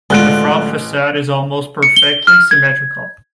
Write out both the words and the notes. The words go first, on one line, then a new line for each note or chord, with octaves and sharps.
The front facade is almost perfectly symmetrical.
A1 D3 G#3 F4 F#6 D7
C#7
G7
F6
G#6